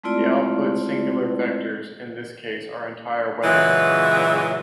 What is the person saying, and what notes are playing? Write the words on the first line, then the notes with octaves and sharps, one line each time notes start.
The output singular vectors in this case are entire weather systems.
G#3 A3 C4 E4 F4 D5
A#2 C#3 E3 F#3 G#3